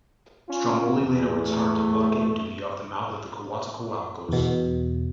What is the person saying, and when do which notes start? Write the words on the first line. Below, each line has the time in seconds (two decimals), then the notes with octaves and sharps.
"Stromboli" later returned to blockade duty off the mouth of the Coatzacoalcos.
0.49 C#4 F4
0.99 E2
1.40 A3
4.29 E2 B2